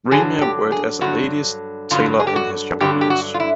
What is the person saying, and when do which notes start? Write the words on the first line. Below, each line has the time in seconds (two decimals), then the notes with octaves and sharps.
Reimer worked as a ladies' tailor in his younger years.
0.11 G2 D3 F#3 G#4
0.41 G4
0.72 G#4
1.01 G2 D3 F#3 F#4
1.91 G2 D3 F#3 F4
2.20 G#4
2.27 G4
2.36 F#4
2.80 G2 D3 F#3 G4
3.01 G4
3.10 F#4
3.34 F4
3.40 E4